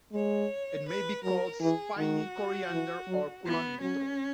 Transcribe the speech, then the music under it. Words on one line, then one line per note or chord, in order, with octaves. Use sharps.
It may be called spiny coriander or culantro.
G#3 C#5
B4
F#3 A#4
E3 G#4
D#3 F#4
E3
F#3
E3 B3
F#3 C#4